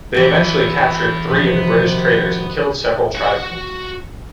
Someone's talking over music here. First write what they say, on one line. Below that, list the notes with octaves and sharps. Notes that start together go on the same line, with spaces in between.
They eventually captured three of the British traders and killed several tribesmen.
E3 F#3 B3 E4
C3 D#3 F3 B3 F#4
F#4 F#5